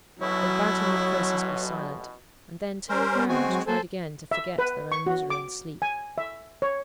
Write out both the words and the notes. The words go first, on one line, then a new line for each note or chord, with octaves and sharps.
They bade him with curses be silent; and then turning round, tried again to forget their own misery in sleep.
A1 B2 F#3 E4 C#5
C#4 A#4 C5
B3
G#3 C4 F#4 G#5
F#3
A#3 A4 C5 G#5
E5
B4
C#6
F#4
D6
G#5
E5
C#5